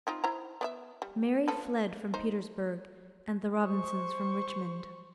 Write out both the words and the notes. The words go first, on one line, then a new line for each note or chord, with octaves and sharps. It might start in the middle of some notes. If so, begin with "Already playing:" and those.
Mary fled from Petersburg and the Robinsons from Richmond.
C4 D#4 F4
E4 C5 A#5
B3 D5 E5
G3
F3 A4 B4
D#4 C5
C5 C#6